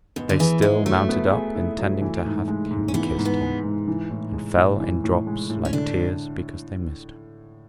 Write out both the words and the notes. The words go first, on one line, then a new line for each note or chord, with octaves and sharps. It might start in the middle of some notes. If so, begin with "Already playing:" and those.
"They still mounted up intending to have kiss'd him. And fell in drops like tears because they missed him."
G#2 B3
D3
E3 G#4
G#3 E4
F#3 A3
B3
G#4
E4
F#3
E3
G#2
G#3
G#2
C#4
E3 B3
G#2
B3
G#3
G#2
E3
A2
G#3
A2
E3
A2
G#3
A2
C#4
D3 D4